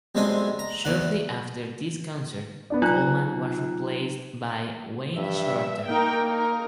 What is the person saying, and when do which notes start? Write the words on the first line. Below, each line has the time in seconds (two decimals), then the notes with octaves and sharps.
Shortly after this concert, Coleman was replaced by Wayne Shorter.
0.15 B1 C3 G#3 C4 D4 G#5
0.59 A#5
0.85 E2 D5 F#5
2.70 B3 D4 D5
2.82 F#3 D#4 F4 A#5 F#6
5.15 G2 E5
5.87 A#3 D#4 A#4 G5
6.24 D#4 A#4